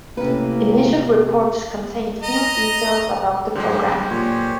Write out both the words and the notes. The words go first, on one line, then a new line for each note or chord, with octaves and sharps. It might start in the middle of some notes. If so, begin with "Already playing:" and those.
Initial reports contained few details about the program.
A2 C3 A#3 C#4 B4
D#5 A#5
D3 F#3 G#3 G4 C5
A#2 G4 C5 C#5